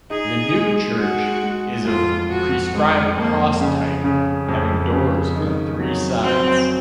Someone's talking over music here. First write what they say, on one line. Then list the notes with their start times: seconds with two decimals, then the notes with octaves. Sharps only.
The new church is of "prescribed cross" type, having doors on three sides.
0.10 D#4 G#4
0.54 G#3
0.98 G#3 F#4
1.43 G#3
1.85 F2 F4
2.29 F2 F#4
2.73 F2 G#3
3.16 F2 A#3
3.60 C#3
4.04 C#3
4.49 F2
4.92 C#3
5.36 D#3
5.79 F#3
6.23 F#3 C4